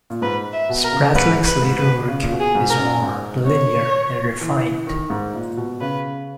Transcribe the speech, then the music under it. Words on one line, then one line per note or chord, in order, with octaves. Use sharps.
Spratling's later work is more linear and refined.
A#2
G#2 B4
E5
B2
A#4
C#3
G#2 B4
B4
G#2
B4
B2
C#3
A#2
B2
G#4
G#2
A#4
F#2
G#2
C#5
E3
D#3
G#2
A#2
B2
C#3 B4